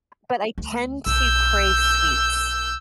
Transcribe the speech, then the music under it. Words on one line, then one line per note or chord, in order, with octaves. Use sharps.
but I tend to crave sweets.
D2
B1 E6 G6